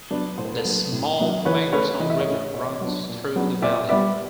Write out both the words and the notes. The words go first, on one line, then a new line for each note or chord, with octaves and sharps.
The small Mangerton River runs through the valley.
F#3 B3 D4
A2 C5
B4
A#4
A4 B4
F#3 A#3 D4
A2
F#3 A#3 D4
E3 B4 C#5
A3 C#4 B4 C#5
E3 D#5
E5
C#5 D#5
A3 C#4
A#2 C#5 D#5
F#3 B3 D4
A#2
F#3 B3 D4
A#2 D5 E5
G3 B3 D5 E5